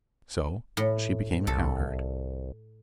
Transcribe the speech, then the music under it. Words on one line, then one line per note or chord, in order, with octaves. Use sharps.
So she became a cowherd.
A2
C2 A4